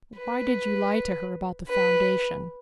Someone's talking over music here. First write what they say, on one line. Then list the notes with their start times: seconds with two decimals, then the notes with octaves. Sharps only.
"Why did you lie to her about the Foundation?"
0.17 B4
1.68 B4